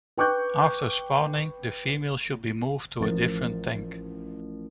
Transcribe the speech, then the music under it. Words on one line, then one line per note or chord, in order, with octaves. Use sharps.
After spawning the female should be moved to a different tank.
B4 G5 C#6 D6 F#6 G6
A1 F3 A#4 A6